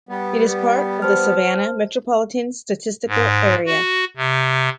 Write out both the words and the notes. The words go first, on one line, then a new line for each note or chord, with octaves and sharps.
It is part of the Savannah Metropolitan Statistical Area.
G3 B3
C5 A5 F6
G#2
F#4
C3